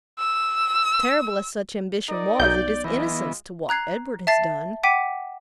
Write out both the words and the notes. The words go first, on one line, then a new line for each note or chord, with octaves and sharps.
Terrible as such ambition was, it is innocence to what Edward has done.
E6
D#4 A#4 D5
B1 G6
E3 G#3 B3 F4 D#5
A#5 F#6 G#6 C7
E5 A5 A6 C7
F#5 G5 D6 B6 D#7